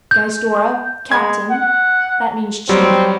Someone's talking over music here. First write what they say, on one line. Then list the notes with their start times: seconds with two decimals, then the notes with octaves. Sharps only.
Gaizdorra, Captain, that means chief.
0.11 G6
1.12 G#3 G#6
1.50 F#5
2.69 F#3 G3 C4